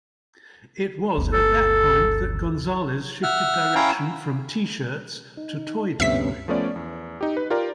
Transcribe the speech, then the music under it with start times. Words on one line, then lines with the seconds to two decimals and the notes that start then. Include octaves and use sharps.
It was at that point that Gonzales shifted direction from T-shirts to toy design.
1.17 G1 D2
1.33 A4
3.23 E5 F#5 F6
3.76 C#4 E4 C#5 F5 G5 A#5
5.37 D#4
6.00 D2 G2 C3 B3 C#4 E5 B6
6.48 F3 A3 B3 C#4 D5
6.76 E2
7.21 D#4 G4
7.37 B4
7.50 F4 G4 A#4 D5